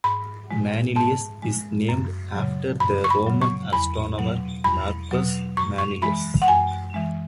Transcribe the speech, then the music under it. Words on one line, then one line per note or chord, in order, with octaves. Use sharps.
Manilius is named after the Roman astronomer Marcus Manilius.
G#2 B5
G#3
G#2 A5
G#3
F#2
C#3 F#3
F#2 B5
C#6
B5
C#3 F#3
C#6
E2 B5
B2 F#3
E2 B5
B2 F#3
F#2 C#6
C#6
E3 G#3 B5
F#5
F#2 G#5
E3 G#3